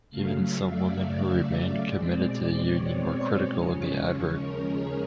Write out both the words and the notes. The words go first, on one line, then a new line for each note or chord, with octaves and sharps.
Even some women who remained committed to the union were critical of the advert.
C#3 F#3 A3 F5
E5
D5
B2 G#3 C4
C#5
D#2 C#3 F3 G#3 C#4
A#4
G#4